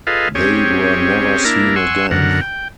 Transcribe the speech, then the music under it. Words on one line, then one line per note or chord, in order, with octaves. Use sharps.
They were never seen again.
F4 G#4 A4 B4 D#5 F5
C4 C#4 G4 G#4 C#5
A#3 D4 E4 A#4
F#5 G#5 C6 C#6 E6
F#2 D3 A#4 F#5
G5